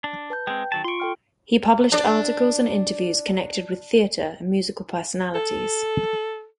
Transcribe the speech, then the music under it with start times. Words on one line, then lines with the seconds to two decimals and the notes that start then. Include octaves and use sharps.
He published articles and interviews connected with theatre and musical personalities.
0.04 D4
0.30 B4 A5 G6
0.47 G#3 C4 G5
0.72 D#3 F#3 A5
0.84 F4 C6 C#6 D7
1.00 A4 G5 F6
1.92 D4 D5
5.35 A4